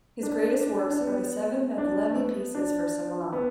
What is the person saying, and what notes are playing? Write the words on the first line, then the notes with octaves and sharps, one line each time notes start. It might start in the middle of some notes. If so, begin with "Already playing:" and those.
His greatest works are the seven Mevlevi pieces for Samah.
D4
D4
D4
B3
D4
A3
B3
D4
B3